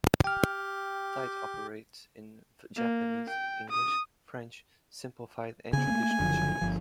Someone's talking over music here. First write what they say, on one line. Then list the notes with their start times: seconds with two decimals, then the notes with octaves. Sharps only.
The site operates in Japanese, English, French, Simplified and Traditional Chinese.
0.24 G4 G5 F6
2.76 A#3
3.29 G5
3.70 D#6
5.73 C#3 B3 G#5
5.87 A3 A#3 C4
6.20 F#1 D3 F3
6.61 G1 F3